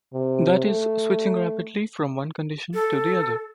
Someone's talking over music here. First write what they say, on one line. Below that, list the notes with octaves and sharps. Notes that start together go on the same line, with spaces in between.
That is, switching rapidly from one condition to the other.
C3
A3
A4